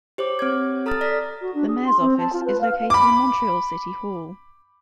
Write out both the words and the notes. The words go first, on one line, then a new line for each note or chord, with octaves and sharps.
The mayor's office is located in Montreal City Hall.
G4 C5 C#5 D6
C4 C#5 G#6
A4 A#5 D#6 F6 A6
D5 A#6 B6
F#4
D4
G#4
C6
C4
A5
F4
B4
F5
B5 D6